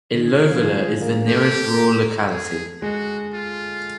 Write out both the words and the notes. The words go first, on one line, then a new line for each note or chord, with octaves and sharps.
Ilovlya is the nearest rural locality.
D#3
D3 G#4
D#3
F3
G#3
A#3
A3 G4
G#4
G#3 F#4
F4